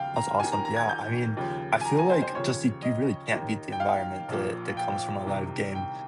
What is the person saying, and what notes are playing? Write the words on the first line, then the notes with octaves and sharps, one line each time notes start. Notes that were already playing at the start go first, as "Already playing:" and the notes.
That's awesome. Yeah, I mean, I feel like just you you really can't beat the environment that that comes from a live game.
Already playing: D#2 C#3 F3 F5 G5
A#5
D#2 D#3 G#5
A#5
A#5
G#6
G6
D#2 C#3 F3
G#5
A#5
G#5
C5
C5
D#2 C#3 F3 C#5
D#5
D#2 D#3
G5
F5
A#1 A#2 F3
G5
C2 C3 D#3
G5